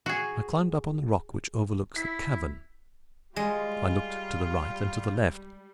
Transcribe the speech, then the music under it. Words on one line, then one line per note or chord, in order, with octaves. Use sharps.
I climbed up on the rock which overlooks the cavern; I looked to the right and to the left.
F#4 G#4
E4 B6
G3 G#3 F4